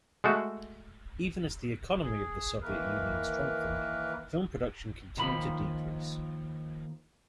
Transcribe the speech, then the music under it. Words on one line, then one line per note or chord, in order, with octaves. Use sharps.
Even as the economy of the Soviet Union strengthened, film production continued to decrease.
G#3 A3 F#4
G#4
D#3 E3 A#3 A#4 B4
D#2 D#3 F3 B5